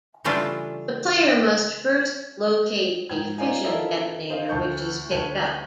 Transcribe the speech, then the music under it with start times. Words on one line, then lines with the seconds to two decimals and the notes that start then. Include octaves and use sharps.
The player must first locate a fission detonator, which is picked up.
0.24 C#3 E3 G3 A3 D4 F4
3.09 G#2 G5 G#6
3.38 D#4 F4 C5 D5 F5 G#5
3.65 E4 F4 A4 A#4 D#5 E5
4.30 C5 D#5 F5
4.49 D2 A5 C#6 G6
5.11 D2 B4 C#5 A5 D#7